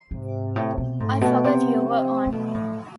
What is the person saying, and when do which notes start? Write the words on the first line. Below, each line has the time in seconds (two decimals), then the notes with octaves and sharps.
I forgot you were on.
0.11 G#2 C3
0.56 A2
0.78 B2
0.99 G#2 A3
1.21 B2
1.44 C3 B3
1.88 C4
2.27 C3
2.32 B2 A3
2.54 A2